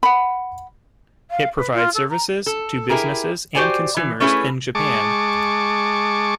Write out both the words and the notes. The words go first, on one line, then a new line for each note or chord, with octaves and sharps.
It provides services to businesses and consumers in Japan.
F#5 B5
F5
B4
F4
A4
A#5
A4
E4 G4 G#4 A#4
F#4 G4 C5 D5 G#5
E3
A3 C#4 E4 G#4 B4
G#3 A5 C#6 D6